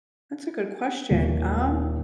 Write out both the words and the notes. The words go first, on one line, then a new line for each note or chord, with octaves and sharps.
That's a good question. Um,
D#1